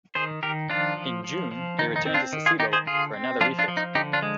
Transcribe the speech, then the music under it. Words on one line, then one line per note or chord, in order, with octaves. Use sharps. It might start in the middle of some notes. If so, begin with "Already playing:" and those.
In June, they returned to Sasebo for another refit.
D#3 G#4 C5
D#3 G4 A#4
F3 D4 F4
F3
F3
F3
D#3 D#4
D#4
C4
D4 F4
D#3
F4 G#4
D#3 D#4 G4
G#4 C5
D3 F4 G#4
C4
F3 D4 F4
D4 F4
F3
D#4
D3 D#4 G4
D4 F4
G#3